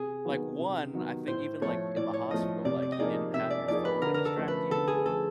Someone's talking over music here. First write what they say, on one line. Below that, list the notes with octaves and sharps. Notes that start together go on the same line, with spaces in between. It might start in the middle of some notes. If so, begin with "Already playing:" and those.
Like one I think even like in the hospital, like you didn't have your phone to distract you,
Already playing: C3 G#4
D#3 F#3 B3
C3
D#3 F#3 B3
A2 C5
F3 A3 C#5
A2 D5
C#5
F3 A3 D#5
C3 D5
D5
D#5
F3 A#3 D#4 G#4 D5
C3 E5
D5
F3 A#3 D#4 G#4 D5
B4
D3 A#4
A#4
A4
F3 A3 C#4
B4
D3 A4
G#4
F3 A3 C#4 A4